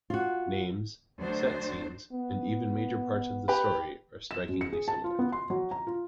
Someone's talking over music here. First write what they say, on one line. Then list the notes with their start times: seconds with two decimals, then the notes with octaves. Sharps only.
Names, set scenes, and even major parts of the story, are strikingly similar.
0.10 F4 F#4
1.19 D2 F#3 D4 C5
2.12 B3
3.48 G4 B4
4.31 E7
4.49 F#2
4.61 C#7
4.73 G#4
4.88 A5
5.04 F4
5.19 B3
5.32 C6
5.50 F#3
5.71 A#5
5.87 F4